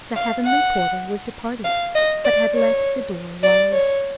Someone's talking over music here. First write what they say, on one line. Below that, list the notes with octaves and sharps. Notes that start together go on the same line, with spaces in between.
The heavenly porter was departed, but had left the door wide.
F5
F#5
F5
D#5
D5
C#5
D5
C#5